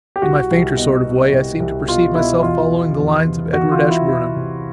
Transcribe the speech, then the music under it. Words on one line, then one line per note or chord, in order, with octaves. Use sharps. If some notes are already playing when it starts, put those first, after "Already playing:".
In my fainter sort of way I seem to perceive myself following the lines of Edward Ashburnham.
G4
C2 F#4
C2
B2
B2
C2
C2
B2 F4
B2 E4
E2 F4
E3
E2
C3
E2 F#4
F4
E3
E4
E2 E4
C3